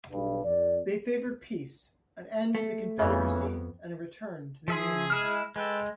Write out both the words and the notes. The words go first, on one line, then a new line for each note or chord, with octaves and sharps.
They favored peace, an end to the Confederacy, and a return to the Union.
B1 G2
F2 D5
A3
F2 C#3 E3 B3
F3 G#4 E5 C6
G#3 E4 F6
G#3 A4 B4 G5